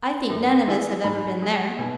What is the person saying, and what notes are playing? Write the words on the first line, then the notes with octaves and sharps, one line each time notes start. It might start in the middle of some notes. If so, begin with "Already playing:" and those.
I think none of us have ever been there.'
F#2
E3 G#3
G#2 B5
G#3
B2 G#5